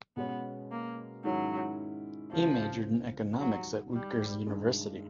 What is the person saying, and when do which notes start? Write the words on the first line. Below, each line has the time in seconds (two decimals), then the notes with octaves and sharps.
He majored in economics at Rutgers University.
0.17 B2 G#3 B3 C#4
0.71 A#3
1.24 G#2 D#3 F#3 G#3 C#4 E4
2.32 C#2 C#3 E3 F3 G3 C4
3.39 G#2 D#3 F#3 G3
3.93 G3
4.46 G2 D#3 G#3